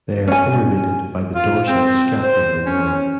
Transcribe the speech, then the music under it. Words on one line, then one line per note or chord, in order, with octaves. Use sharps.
They are innervated by the dorsal scapular nerve.
C#4 G#5
F4
C4
C5
C#4